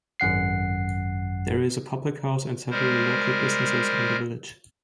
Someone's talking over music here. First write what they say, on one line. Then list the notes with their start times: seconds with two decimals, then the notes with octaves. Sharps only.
There is a public house and several local businesses in the village.
0.20 G#1 F#2 F#5 C7
2.70 G3 G#3 A#4 C5